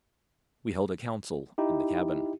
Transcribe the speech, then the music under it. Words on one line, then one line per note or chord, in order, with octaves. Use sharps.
We held a council in the cabin.
D#4 E4 G4